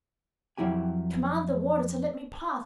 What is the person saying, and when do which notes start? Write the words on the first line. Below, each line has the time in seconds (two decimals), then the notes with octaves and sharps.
Command the Warder to let me pass.
0.58 F2 F#3 E4 G4 G#5